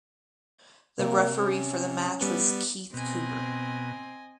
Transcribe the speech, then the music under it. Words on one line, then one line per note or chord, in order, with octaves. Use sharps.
The referee for the match was Keith Cooper.
C3 A#3
C#4
G3 B3
B2 C4 D#5 G#5